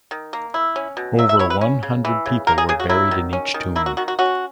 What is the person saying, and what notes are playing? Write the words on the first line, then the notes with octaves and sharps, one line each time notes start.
Over one hundred people were buried in each tomb.
D#3
A#3
E4
C#4
B2
F#3 E5
E5
E4 C#5
B4
C#4
C#3
E3
C#3
A#3 A#4
G#4
C#3 G#4
F#4
F#3 E4
D#3
C#4
D#3
A#3 E4
F#4
D#3 F#4
F#4
C#4 F#4